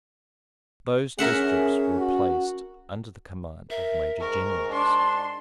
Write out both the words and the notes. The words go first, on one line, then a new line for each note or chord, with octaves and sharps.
Those districts were placed under the command of Major Generals.
C#4 G#4 A#4 E5 F#5
F#4
A#4 E5
G#2 A#4 C#6
D4 C6